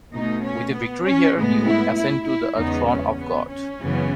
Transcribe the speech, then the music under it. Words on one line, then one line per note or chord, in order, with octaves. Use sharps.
With a victory here, he would ascend to the throne of God.
B2 A3 D#4
C#4
B3
C#4
A2 G#3 B3
E4
E4
E4
E2 C#3 G#3 B3 D#4
C#4
B3
C#4
F#2 C#3 E3 B3